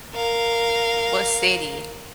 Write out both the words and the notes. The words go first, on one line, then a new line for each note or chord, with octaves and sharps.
What city?
A#4 F5